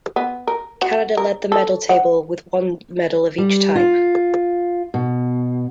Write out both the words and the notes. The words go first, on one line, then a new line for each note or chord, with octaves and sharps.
Canada led the medal table with one medal of each type.
B3
A#4
F#4
A#4
A4
F#5
G3
F4
B2